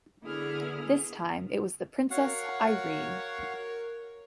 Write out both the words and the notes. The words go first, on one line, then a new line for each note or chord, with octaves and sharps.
This time it was the "Princess Irene".
D3 B3 E4 G#4 D#6 F6
F#4 A#4 C#5 F5 F#5